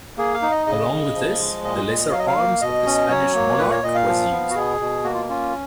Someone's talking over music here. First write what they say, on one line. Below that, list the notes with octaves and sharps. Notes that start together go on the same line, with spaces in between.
Along with this, the lesser arms of the Spanish monarch was used.
A#3 G#4
F5
D#4
D#5
C#3 D#5
C#3
F3
G#3
A#2 D#5
A#2
F#3 F5
D#5
F5
A#3
B2 D#5
C#4
F#3 C#5
A#3
A#2 B4
C#5
A#2 D#5
F5
F3
B3
F#4
B2 G#4
B2
A#3 F#4
F4
C#4 F4